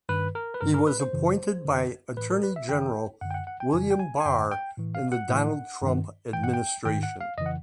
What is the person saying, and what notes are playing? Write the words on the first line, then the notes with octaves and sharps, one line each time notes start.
He was appointed by Attorney General William Barr in the Donald Trump administration.
G2 D#3 B4
A#4
B4
G2 D3 A#4
A#4
B4
C5
F#2 C#3 E3
F#2 D3
A2 E3 B4
A#4
B4
E5
F#2 D#3 G5
F#2 D3 F#5
G5
F#5
F#5
G5
F2 C#3 E3 G#5
G5
G#5
G#5
F#2 D3 G5
G5
A2 E3
F5
F#5
A2 E3
G2 D#3
G2 E3 G5
F#5
G5
G#2 D#3 G5
F#5
F5
F2 C#3 E3 D#5
F#5